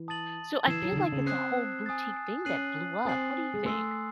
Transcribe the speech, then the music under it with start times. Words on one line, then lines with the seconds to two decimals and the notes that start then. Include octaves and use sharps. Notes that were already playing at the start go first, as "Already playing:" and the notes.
So, I feel like it's a whole boutique thing that blew up. What do you think?
Already playing: E3
0.08 A5 D#6 A6 D#7 F#7
0.67 E3 E6 G#6 C7 E7
0.82 F#3
0.92 C#3
0.97 D#3
1.12 C#3
1.21 C#4
1.26 C4 D#6 F#6 C7
1.86 G#5 D#6 A6
2.45 C#4 F#6 C7 D#7 F#7
3.05 C4 G#5 D#6 A6 C7 F#7
3.54 G#3
3.65 A3 G#5 C6 E6 C7